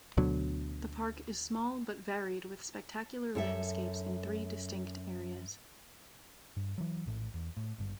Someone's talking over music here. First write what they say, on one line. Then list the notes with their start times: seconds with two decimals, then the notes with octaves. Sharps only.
The park is small but varied with spectacular landscapes in three distinct areas.
0.17 D2 B2 D3 F#3
3.35 F#2 A4 E5
6.57 G2
6.78 E3 F#3
7.06 A#1 A2
7.34 E2
7.57 A2
7.78 G#1 G2